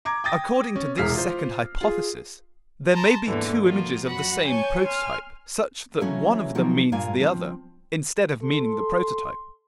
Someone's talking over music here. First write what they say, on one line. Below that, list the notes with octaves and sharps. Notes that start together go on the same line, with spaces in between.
According to this second hypothesis, there may be two images of the same prototype, such that one of them means the other, instead of meaning the prototype.
A#5 D6 G#6
G5 D#6 A6 A#6
C#4
E1 C2 G#3 F6 B6 C7
F4 C5
F4 G#4
A5 A#5 C6
D#2 G#2 B2 D3 E3
F3 A#3 F4 F#4
F#2 F#4 F#5 B5
C#5 G#5 A5 C#6 G6
G#5 C6 F6
E3 F#3 A3 A#3 C#4
D#3 F3 F#3 A#3 C4
G2 A#2 A#3 F5 G#5
F3 C4
A4 C6